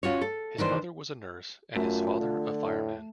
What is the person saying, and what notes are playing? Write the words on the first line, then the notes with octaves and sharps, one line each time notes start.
His mother was a nurse and his father a fireman.
C#4 F4 F#4 C#5
A4
D#3 E3 D4 C5
F#2 A3 F4
D3
A2